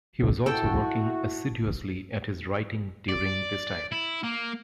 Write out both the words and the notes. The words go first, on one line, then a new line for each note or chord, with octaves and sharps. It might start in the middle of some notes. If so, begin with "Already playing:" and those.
He was also working assiduously at his writing during this time.
E4 F#4 A4 G5
D5
E4
A#3